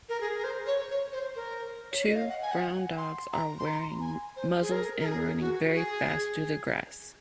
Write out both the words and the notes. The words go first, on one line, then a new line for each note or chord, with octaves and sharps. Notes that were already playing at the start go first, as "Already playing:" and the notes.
Two brown dogs are wearing muzzles and running very fast through the grass.
A#4
G#4
A#4
C5
C#5
C#5
C5
A#4
C#5
D#5
F5
F#5
G#5
F#5
C6
A#5
C6
A#5
G#5
C5
G#4
A#4
A#4
G#4
F#4
G#4